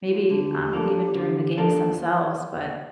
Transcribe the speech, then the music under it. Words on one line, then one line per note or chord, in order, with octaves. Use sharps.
maybe, um, even during the games themselves, but
F4
D3 G4
F3 A#3 D4 A4
D3
F3 A#3 D4 A4